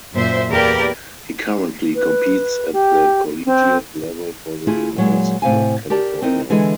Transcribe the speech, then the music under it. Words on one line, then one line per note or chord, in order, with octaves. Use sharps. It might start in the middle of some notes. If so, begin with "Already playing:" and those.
He currently competes at the collegiate level for the University of California.
F#2 A#2 C5 E5
E2 A#3 G4 A#4 B4 D5
B4
G4
C4
A3 E4 F4 G#4
A#2 F#3 G#3
A2 C3 F5 G#5
G4 A#4 D5 A5
C4 D#4 E4 A#4
D3 E3 G#3 G#4 A4